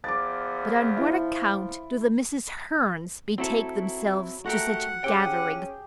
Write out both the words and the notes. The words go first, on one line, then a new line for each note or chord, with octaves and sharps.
But on what account do the Mrs. Hearns betake themselves to such gatherings?
E2 F3 D6 A6
E4
F#3 C4 E4 A4
A3 F#4 G4 A#4 F#5
C#4 G4 G#4 G5